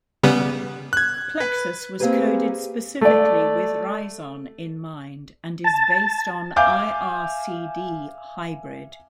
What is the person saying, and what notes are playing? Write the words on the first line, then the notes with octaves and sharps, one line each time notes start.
Plexus was coded specifically with Rizon in mind and is based on ircd-hybrid.
C#3 G3 B3
F#6 G#6
B4
A#3 C4 C#4 G4 G#4 B4
A3 D5
A5
E5 F5 G#5 D6 G6